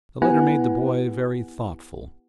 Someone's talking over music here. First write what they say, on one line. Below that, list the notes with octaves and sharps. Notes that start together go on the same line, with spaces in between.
The letter made the boy very thoughtful.
B3 E4 G4 B4 F#5 G#5